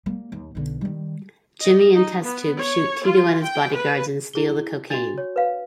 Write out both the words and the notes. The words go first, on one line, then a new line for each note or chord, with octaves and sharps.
Jimmy and Test Tube shoot Tito and his bodyguards and steal the cocaine.
G3 A#3
D#2
B1 D3
D#3 G3
D#5
D#4
B3
C#5
F4
G5
B4
E4 G#4 G7
D4 F#4 A6 F7
C#5
B4 F5